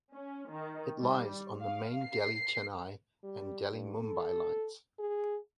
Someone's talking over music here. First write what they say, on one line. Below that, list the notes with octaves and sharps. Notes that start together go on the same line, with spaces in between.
It lies on the main Delhi-Chennai and Delhi-Mumbai lines.
C#4
D#3
G3
F5
C7
G3
G2
A4
G#4